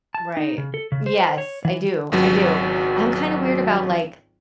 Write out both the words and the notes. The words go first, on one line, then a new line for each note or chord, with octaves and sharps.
Right. Yes, I do, I do. I'm kinda weird about, like,
A5
D#4
C#3
A4
C#3
C5
C#5
E3
G#1 C#2 F#3